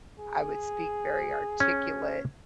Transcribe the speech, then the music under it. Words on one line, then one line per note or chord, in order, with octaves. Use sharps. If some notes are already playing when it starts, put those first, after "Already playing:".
I would speak very articulate,
G#4
C#4